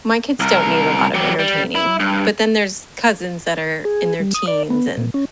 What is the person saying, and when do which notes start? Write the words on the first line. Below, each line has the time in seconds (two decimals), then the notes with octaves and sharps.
My kids don't need a lot of entertaining, but then there's cousins that are in their teens, and
0.40 C2 A#4
1.14 F#3 G4
1.39 G3
1.75 E4
2.00 G2
3.85 G#4
4.20 G3
4.35 D#6
4.47 D5
4.70 B3
4.97 A#2
5.14 C#4